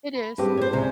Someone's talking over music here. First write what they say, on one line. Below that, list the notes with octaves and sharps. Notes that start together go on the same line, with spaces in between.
It is.
B5
G2 G#3 C4 G4
C5 C#5
C#2 C3 E4 D5 G#5